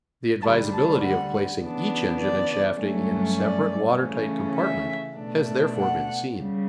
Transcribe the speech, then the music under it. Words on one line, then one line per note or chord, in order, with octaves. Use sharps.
The advisability of placing each engine and shafting in a separate water-tight compartment has therefore been seen.
D2 D3 G3 A5
A5
F#5
C#3 E3 B3 D4
D5
G2 F#3 A3 C#4
D5
C#3 E3 A3 C#4
E5
B2 A3 D4
F#5
C#3 G3